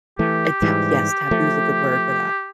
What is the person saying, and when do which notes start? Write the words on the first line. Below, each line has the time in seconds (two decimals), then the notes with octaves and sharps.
Eh, ta Yes, taboo's good word for that,
0.19 E3 A3 G4
0.62 G#2 E3 G3
1.31 F3 A3